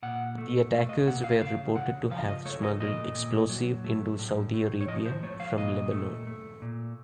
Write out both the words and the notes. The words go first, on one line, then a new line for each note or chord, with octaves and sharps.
The attackers were reported to have smuggled explosives into Saudi Arabia from Lebanon.
A#2 F#5
A3
A3 F5
D#5
A#2 F#5
F5
C#3 F5
C#3 F#5
F3 F5
D#5
A3 C#5
D#5
A#2 D#5
A#2
F#3
A3
A2
A2
C#5
F3 D#5
C5
A3 C#5
F5
A#2 D#5
A3
A3
A#2